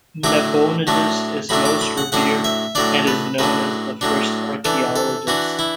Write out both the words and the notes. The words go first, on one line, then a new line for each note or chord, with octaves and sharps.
Nabonidus is most revered and is known as the first archaeologist.
A2 F#3 A3 D4 D6
A2 F#3 A3 D4
A2 F#3 A3 D4 B5
D6
B5
F#5
A2 F#3 D4 F#5
E5
A2 F#3 D4 D5
B4
A2 F#3 D4 B4
A2 F#3 D4
E3 D4 A4
A4
E3 D4 F#4
E4